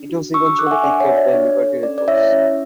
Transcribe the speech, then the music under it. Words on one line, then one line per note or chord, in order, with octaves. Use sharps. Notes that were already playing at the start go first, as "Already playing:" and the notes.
It was eventually picked up by Liberty Records.
Already playing: D4
F#4
D4 C#6 E6
C#6 E6
A4 D6 F#6
F#5
E5 G#5
D4 D5 F#5
C#5 E5
F#4
D5
D4 C#5
A4
C#4 D5
D5
E4 C#5 E5
C#4